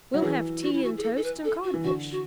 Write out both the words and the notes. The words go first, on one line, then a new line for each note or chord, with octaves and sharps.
"We'll have tea and toast and codfish."
F#3
E3 G#4
F#4
E4
F#4
G#4
A4
A4
B4
A4
F#4
E3
D3 F#4
F#4